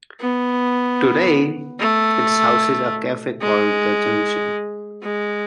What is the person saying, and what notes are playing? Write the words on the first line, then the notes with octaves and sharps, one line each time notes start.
Today, it houses a cafe called "The Junction".
B3
A3
G#3
G#3